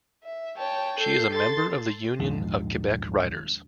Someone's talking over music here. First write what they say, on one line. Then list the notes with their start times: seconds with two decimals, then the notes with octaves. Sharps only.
She is a member of the Union of Quebec Writers.
0.24 E5
0.57 C#5 G5 A5
0.99 A4 G6 C7
1.33 A4 C6 A6
2.19 A#1 D#2 G#2 G#3